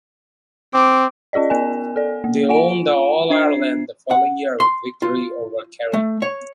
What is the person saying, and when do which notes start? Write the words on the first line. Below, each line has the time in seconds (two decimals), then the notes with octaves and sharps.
They won the All-Ireland the following year with victory over Kerry.
0.74 C4 D6
1.33 C#4 F4 G#4 D5 D#5
1.50 B3 A#4 G#5
1.96 A4 D5
2.24 A#3
2.49 F4 F#5 G#5 D7
3.30 D4 C5 E5 C7
4.11 F#5
4.60 C6
5.02 F4
5.93 A3
6.22 C#5